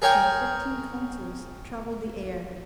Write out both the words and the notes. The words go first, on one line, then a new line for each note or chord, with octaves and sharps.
Conflicting counsels troubled the air.
G#4 A#4 C#5 G5 G#5